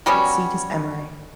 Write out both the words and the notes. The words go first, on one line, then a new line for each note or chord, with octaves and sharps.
Its seat is Emory.
F#3 G3 B3 C#4